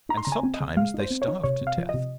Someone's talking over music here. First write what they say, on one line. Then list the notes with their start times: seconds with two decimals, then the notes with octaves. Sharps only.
And sometimes they starve to death.
0.09 D#4 A#5
0.17 C6
0.25 C#3 A#5
0.32 G#5
0.43 C4
0.54 D#5
0.60 C#3
0.77 G#3 F5
0.94 D#4
0.99 C5
1.10 C4
1.22 C#5
1.28 D#4
1.43 C3 C#5
1.61 C3
1.67 F5
1.78 F3
1.89 C3 D#5